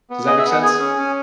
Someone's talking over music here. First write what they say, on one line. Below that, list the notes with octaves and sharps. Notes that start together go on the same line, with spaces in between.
Does that make sense?
B3
G#4 D#5
E5
B3
F#5
G#4 G#5
C#4
C#4